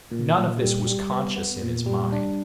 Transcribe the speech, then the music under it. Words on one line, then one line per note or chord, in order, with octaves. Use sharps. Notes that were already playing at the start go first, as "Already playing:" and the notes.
None of this was conscious in his mind.
A#2
A#2
G3
G3
B3
B3
A#2
G3
D4